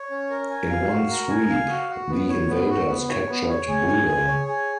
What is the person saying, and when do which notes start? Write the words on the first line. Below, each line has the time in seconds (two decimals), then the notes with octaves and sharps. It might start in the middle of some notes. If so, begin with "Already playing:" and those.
In one sweep, the invaders captured Buda.
Already playing: C#5
0.10 C#4
0.30 A#4
0.50 G#5
0.70 F5
0.90 F#4
1.09 A#4
1.30 G#5
1.50 F5
1.69 F#4
1.89 F#4
2.10 B3
2.29 C#5
2.49 B3
2.69 F#4
2.89 B3
3.09 C#5
3.29 B3
3.48 C#5
3.68 G#4
3.88 G#5
4.08 G#4
4.28 C#5
4.48 G#4